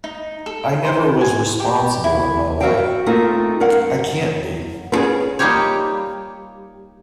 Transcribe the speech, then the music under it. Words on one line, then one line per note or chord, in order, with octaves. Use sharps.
I never was responsible in my life — I can't be.
D#4
A4
C5
G#5
G4
E4
F#4 A4 A#4 E5 F5 G5
A3 A#3 C4 D#4 F4
F#2 A#4 F5 F#5
B3 C#4 F#4 G#4 B4
G3 A#3 D#4 F4 G4 C#5